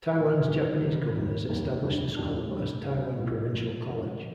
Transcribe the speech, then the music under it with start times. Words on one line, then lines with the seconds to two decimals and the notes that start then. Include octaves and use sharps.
Taiwan's Japanese governors established the school as Taiwan Provincial College.
0.13 A#2 F3 A#3 D#4
0.47 D2 C3 D#3 G3
0.81 D2 C3 D#3 G3
1.15 F1 D#2 D#3 G3 A#3
1.49 F1 D#2 D#3 G3 A#3
1.83 F1 D#2 D3 G3 D4
2.16 F1 D#2 D3 G3 D4
2.50 D2 C3 G3
2.84 D2 C3 G3
3.19 C2 A#2 F3
3.52 C2 A#2 F3
3.87 F2 D3 G#3